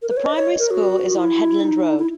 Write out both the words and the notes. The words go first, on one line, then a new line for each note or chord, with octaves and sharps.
The Primary school is on Headland Road.
A#4
B4
C#5
D#5
C#5
A#4
F#4
F#4
E4
D#4
E4